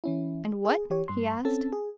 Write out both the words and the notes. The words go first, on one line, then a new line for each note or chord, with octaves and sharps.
"And what?" he asked.
E3 C#4 E4
G#4
E3 G4 C#5
G2 C6
C4 C#4 A4 A5
G#4